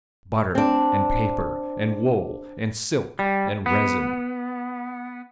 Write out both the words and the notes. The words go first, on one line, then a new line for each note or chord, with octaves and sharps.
Butter and paper and wool and silk and resin.
C4 D4
G3
B3